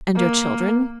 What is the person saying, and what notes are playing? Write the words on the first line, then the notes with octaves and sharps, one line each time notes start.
"And your children?"
A#3